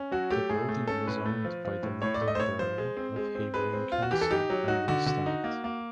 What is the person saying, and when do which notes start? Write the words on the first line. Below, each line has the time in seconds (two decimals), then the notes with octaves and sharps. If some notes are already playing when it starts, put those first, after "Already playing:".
The building was owned by the London Borough of Havering Council and leased out.
Already playing: C#4
0.12 F#3 F#4
0.30 A3 G4
0.49 A2 G#4
0.69 A3
0.87 C#4 A4
1.07 A2 B4
1.26 A3
1.45 F3
1.65 F3
1.83 A2
2.02 A2 C#5
2.14 D5
2.21 A3
2.28 D#5
2.35 C5
2.40 A2 C#5
2.59 F3 C5
2.78 G#3
2.97 C4
3.16 G#3
3.35 C4
3.54 G#3 B4
3.73 C4
3.92 F4
4.02 F#4
4.11 E3 G4
4.21 A4
4.30 D#4 G4
4.50 F#3
4.68 D#4 F#4
4.88 D3 F#4
5.06 D3 F#4
5.26 D#4
5.44 A#3
5.64 A#3